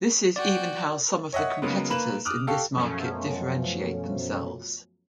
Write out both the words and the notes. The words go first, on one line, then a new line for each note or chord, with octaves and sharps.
This is even how some of the competitors in this market differentiate themselves.
F#4 D5 G5
C#5 D#5 E5 F#5
C#3 F#3 G#3 A#3 B3
A#3 B4 B5 E7 F#7
D6 D#6 F6 F#6
G4 A4 F5 C#6
F#2 B2 F3 F#3 A3 C#4